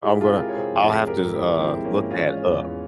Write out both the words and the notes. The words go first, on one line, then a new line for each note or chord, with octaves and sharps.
I'm gonna I'll have to s uh, look that up.
G#3 E4 G4
C3 F4 G#4
C3 G4 A#4
C#5
C3 G#4 C5
F2
C3
G#4
G#2 G4 A#4
G#1
E4 G4
G#1
F3 C4 E4
G#3
A#3 C#4
G#2
E3 C#4 F4
G#3
E2
E3